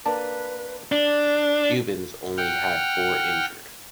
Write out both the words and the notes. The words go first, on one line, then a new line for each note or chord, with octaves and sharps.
Cubans only had four injured.
A#3 D4 B4 A5
D4
F#5 G5 F6